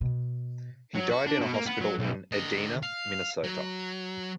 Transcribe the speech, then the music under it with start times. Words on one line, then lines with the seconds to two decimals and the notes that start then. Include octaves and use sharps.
He died in a hospital in Edina, Minnesota.
0.01 B2
0.95 F#3
1.11 F#4
1.26 D4
1.40 B2
1.53 A#3
1.66 B3
1.81 F#3
1.99 B1
2.32 D3 D#5
2.83 F5
3.44 F#3